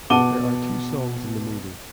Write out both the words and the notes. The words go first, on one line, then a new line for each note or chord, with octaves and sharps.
There are two songs in the movie.
B2 F#5 A5 D6 D#7 G7